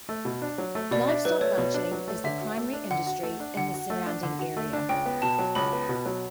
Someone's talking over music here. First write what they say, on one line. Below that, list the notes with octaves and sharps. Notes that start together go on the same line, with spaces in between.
Livestock ranching is the primary industry in the surrounding area.
A3
B2
D4
F#3
A3
B2 D5
D4 E5
F#3 B4
A3 C#5
B2
D4
F#3
A3
D3 E5
F#4
A3
D4
D3 F#5
F#4
A3
D4
D3 F#5
F#4
A3
D4
D3
F#4
A3
D4
C#2 G5
B3
B2 A5
F#3
C#2 B5
B3
B2
F#3